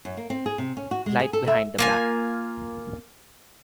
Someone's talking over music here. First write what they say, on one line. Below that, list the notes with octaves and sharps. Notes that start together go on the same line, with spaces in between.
Light Behind The Back.
F#2
A#3
C4
G#4
C3
C#4
F#4
G#3
G#4
A4
E5
A#3 F4 G#5